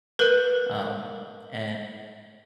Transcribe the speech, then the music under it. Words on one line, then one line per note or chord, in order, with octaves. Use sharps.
Um, and
A#4 B4